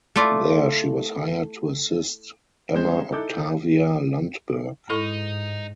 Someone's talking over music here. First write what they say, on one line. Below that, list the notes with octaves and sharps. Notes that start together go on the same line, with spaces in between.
There she was hired to assist Emma Octavia Lundberg.
A3 E4 F4 D5
G3 G#3 C#4 G#4 C5
D#4 E4 A4 D6 F#6 G6
G#2 D#4 E4 A4 C#6